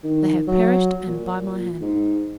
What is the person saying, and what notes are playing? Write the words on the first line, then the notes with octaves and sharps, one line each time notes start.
They have perished, and by my hand.
D#3
F#3
A#2
G#2